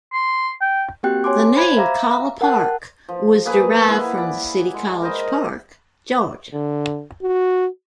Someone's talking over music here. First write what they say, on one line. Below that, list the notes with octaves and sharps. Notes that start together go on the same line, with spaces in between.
The name "Collipark" was derived from the city College Park, Georgia.
C6
G5
A#3 C4 F#4 G4 G5 F#6
C#5 G#5 C6 D6
C5 B5 G#6
E5 F5 A#5 D6
A#4 F#5 G5 A5 F#6
F3
A#3 G#4 B4 G#5
E4 F#5
D5
G#3
A#4 C5 D#5
D3
F#4